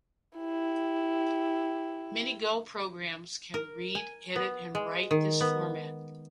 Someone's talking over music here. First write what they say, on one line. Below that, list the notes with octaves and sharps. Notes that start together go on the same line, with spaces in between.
Many Go programs can read, edit, and write this format.
E4 G4
A#4
G#5
B3
G#3
D#3
B3